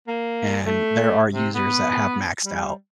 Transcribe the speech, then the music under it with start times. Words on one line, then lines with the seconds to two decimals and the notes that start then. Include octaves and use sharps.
and, there are users that have maxed out,
0.07 A#3
0.66 A3
1.33 C3
1.55 B3
2.45 G3